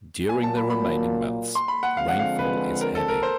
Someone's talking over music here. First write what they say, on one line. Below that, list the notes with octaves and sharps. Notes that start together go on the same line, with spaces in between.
During the remaining months, rainfall is heavy.
A#2 F#3 A#3 G#5
A5
B5
B5
C6
B5
F#5
D3 F3 G#3 C4 F5
F#5
F5
B4
A#4
A4
A#4
C5